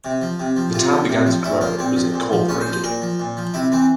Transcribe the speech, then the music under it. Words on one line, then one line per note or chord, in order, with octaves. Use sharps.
The town began to grow and it was incorporated.
C3
F3
C3
F3
C3 F4
F3
C3
F3
A#2 E4
F3 A#3
A#2 C4
F3
A#2
F3
A#2 C#4
C5
F3
C5
A#2 A#4
F3
A#2
F3
C3 E4
E3 C4